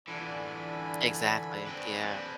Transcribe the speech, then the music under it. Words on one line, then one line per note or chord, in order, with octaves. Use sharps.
Exactly, yeah.
D3 E3 D4 G#5 B5
C4 B4